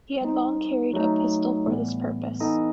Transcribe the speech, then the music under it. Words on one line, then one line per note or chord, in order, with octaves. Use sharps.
He had long carried a pistol for this purpose.
G3 C4 D#4
F#3 A3 D#4 A4
A2 E3 G3 B3
E3 B3 D#4 A4 D#5